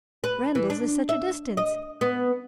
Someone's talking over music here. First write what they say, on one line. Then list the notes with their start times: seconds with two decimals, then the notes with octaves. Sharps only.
Randalls is such a distance.
0.24 B4
0.55 E3
0.70 D4
1.09 E5
1.57 D#5
2.01 B3